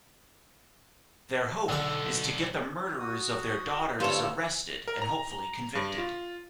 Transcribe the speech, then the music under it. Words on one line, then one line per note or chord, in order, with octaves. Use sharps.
Their hope is to get the murderers of their daughters arrested and hopefully convicted.
B1 D3 A4
F#4 D#6
D2 G2 G3 C4 F4 A4 C#5
A#4
A#5
G2
F4